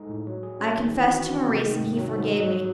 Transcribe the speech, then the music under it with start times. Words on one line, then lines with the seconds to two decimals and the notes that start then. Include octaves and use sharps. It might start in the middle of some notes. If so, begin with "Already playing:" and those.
I confessed to Maurice, and he forgave me.
Already playing: G#3 D#4 A4
0.09 A2
0.27 F#3
0.43 G#4
0.60 C#4
0.78 D#3
0.95 E3
1.11 F#4
1.29 C4
1.46 C3
1.63 D#3
1.79 G#2
1.98 F#3
2.14 G#2
2.31 F#3
2.48 F#4